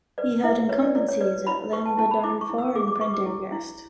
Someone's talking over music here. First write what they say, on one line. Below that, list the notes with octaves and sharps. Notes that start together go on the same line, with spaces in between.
He held incumbencies at Llanbadarn Fawr and Prendergast.
B4 D5
E4 E5
B4 C#5
D5
E4 D5
C#5
B4 D5
E4 B5
B4 C#6
A5
E4 A5
B5
E4 D6
C#6
E4
E6
G#4 D6
D6
B4 C#6
D6
E4
E4